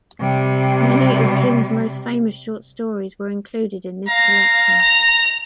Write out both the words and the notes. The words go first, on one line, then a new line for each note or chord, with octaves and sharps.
Many of King's most famous short stories were included in this collection.
C3 G3
F5 A#5
A#6 F7